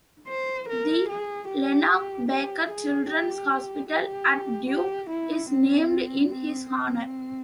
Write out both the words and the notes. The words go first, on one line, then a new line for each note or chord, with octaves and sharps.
The Lenox Baker Children's Hospital at Duke is named in his honor.
C5
A#4
G#4
G4
G4
G#4
G4
G4
G4
E4
C4
C4
C4